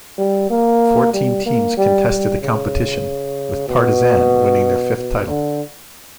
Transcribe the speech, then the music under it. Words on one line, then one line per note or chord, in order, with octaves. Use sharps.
Fourteen teams contested the competition, with Partizan winning their fifth title.
G3
A#3
G3
A#3
G3
G3
C#3
B2
B2
D3